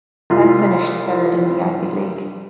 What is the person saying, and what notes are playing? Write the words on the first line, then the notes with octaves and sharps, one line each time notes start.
Penn finished third in the Ivy League.
C2 F4